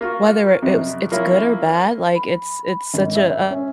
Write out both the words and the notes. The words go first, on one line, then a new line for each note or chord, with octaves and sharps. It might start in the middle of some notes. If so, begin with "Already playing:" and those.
whether it it was it's good or bad, like, it's it's such a
A#3 F4 F#4
F2 C3 F#3
F3 A#3 C#4 E4
B5
G#1
E5
C#4